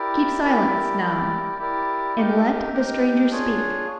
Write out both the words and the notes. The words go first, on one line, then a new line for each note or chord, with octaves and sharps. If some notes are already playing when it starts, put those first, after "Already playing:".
Keep silence now, and let the stranger speak.
Already playing: E4 G4 A#4 D5
E4 G4 A#4 D5
E4 G4 A#4 D5
E4 G4 A#4 D5
D#4 G4 A#4
D#4 G4 A#4
D4 F4 G#4 C#5